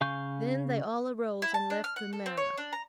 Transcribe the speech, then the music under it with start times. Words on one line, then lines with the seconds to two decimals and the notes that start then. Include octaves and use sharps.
Then they all arose and left the marah.
0.01 C#3 F5 G#5 C#6 G6
1.42 E4
1.54 A5
1.70 D4
1.84 F6
1.96 F#5
2.13 A4
2.26 C4
2.37 C#5
2.58 D4
2.73 A#5